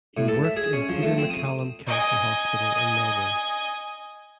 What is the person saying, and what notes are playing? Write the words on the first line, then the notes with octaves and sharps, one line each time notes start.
He worked in Peter Maccallum Cancer Hospital in Melbourne.
A2
A4
E5
G#4
C#4
F3
A3
C4
D#6
D#5 G#5